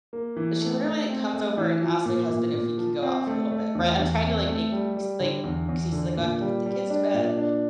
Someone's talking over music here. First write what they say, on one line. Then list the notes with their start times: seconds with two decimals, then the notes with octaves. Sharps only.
she literally comes over and asks my husband if we can go out for a little bit. Right? I'm trying to, like, make s like excuses, like, "Oh, I have to put the kids to bed,"
0.13 A#3
0.37 E3
0.61 A3
0.84 A3
1.10 C4
1.34 A3
1.58 E3
1.82 F3
2.06 A#2
2.30 A#2
2.54 A#2
2.78 F3
3.02 C4
3.27 A3
3.52 A3
3.75 E2
3.99 E2
4.24 C4
4.48 A3
4.72 G3
4.97 G3
5.20 D3
5.44 E2
5.69 E2
5.92 D3
6.17 A#2
6.41 G3
6.66 G3
6.90 D4
7.14 A#2
7.37 D4